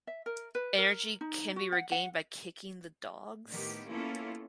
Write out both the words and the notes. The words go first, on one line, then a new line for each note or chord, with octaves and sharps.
Energy can be regained by kicking the dogs.
E5
A#4
B4
A#4
D#4
F#4
F#5
F#5
A2 D#3 B3 G4
A#3 B3 C#4 E4 F4 A4